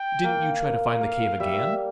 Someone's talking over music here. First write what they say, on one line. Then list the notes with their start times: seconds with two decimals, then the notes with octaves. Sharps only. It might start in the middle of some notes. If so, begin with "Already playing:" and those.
"Didn't you try to find the cave again?"
Already playing: G5
0.24 A#3
0.62 A#3
1.01 A#3 F5
1.40 G3 E5